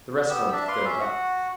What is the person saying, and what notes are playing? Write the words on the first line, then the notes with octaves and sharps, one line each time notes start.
The restaurant had filled up.
B3 G4 E6
D4 E5 A5
B4 D5 F5 C6
C#4 E5
F#4 F#5